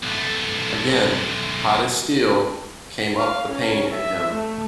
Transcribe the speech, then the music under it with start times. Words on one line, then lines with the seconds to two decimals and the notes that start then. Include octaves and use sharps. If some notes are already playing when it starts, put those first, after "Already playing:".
Again, hot as steel, came up the pain in him.
0.03 B1 A3
3.19 F5
3.51 C#4
3.93 E5
4.34 A3